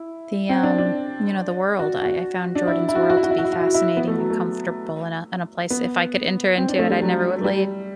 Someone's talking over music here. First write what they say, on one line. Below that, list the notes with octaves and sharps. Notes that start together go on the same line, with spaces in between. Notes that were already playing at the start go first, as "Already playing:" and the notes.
the, um, you know, the world, I I found Jordan's world to be fascinating and comfortable in a in a place. If I could enter into it, I never would leave,
Already playing: E4
C4
D4
D4
F#4
F#4
D4
E4
E4
F#4
E4
F#4
E4
F#4
E4
F#4
E4
F#4
E4
F#4
E4
B3
A3
F#3
A3
B3
C4
D4
A3
G3
F#3
G3